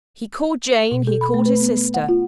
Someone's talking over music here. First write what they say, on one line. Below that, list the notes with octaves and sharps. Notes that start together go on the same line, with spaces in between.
He called Jane; he called his sister.
B2
A4
B5
A3
B4
B3
F#5
F4